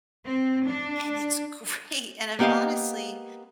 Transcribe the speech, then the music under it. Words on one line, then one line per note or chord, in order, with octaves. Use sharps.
and it's great, and I'm honestly
C4
D4
A#3 B3 G4 D#5 F5